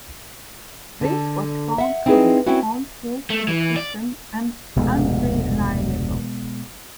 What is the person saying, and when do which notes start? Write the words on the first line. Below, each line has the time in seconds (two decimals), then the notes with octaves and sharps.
This was found to be harmful to the system and unreliable.
1.01 D3 A4
1.78 E5 F#5
2.06 C4 D#4 E4 F#4 G#4 B4
2.46 C4 C#4 E4 F#4
3.30 A3
3.48 E3
3.76 D5
4.76 F1 D2 G#2 B2 G#3 B3